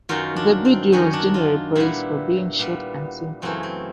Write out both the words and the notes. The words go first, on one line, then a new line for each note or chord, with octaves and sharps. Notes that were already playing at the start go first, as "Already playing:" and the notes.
The video was generally praised for being short and simple.
F#2 D#3 F#3 F4
D4
C4
F#2 D#3 F#3 C#4
D4
F4
A#2 G3 B3 E4
A#2 G3 B3
F#2 C#3 E3 A3 C4
C4